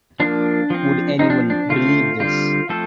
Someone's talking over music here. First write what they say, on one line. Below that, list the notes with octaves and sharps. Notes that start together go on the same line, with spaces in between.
Would any one believe this?
F3 A#3 D4
F3 C4
F3 C4 D#4
D4
D4
D3 A3 C4 F4
D3 G3 C4 F4
F3 A3 C4 A4